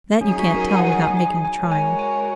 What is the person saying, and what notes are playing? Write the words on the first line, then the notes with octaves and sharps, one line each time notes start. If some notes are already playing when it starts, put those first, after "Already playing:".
"That you can't tell without making the trial."
F#3 C#4 D#4 G#4
F#4
A#4
F#5
G#5
G#5
G#5
G#3 F#4 A#4 C#5
G#5
G#5